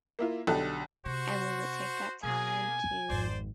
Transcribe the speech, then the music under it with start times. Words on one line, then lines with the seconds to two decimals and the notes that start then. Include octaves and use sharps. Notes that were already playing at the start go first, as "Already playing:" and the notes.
and we would take that time to
0.19 A#3 E4 F4
0.47 B1 D3 G4 A4 F#6 A6
1.06 C3 F#4 C5
2.23 B2 A#3 G#4 G#5
3.10 G#1 F2 C5 D5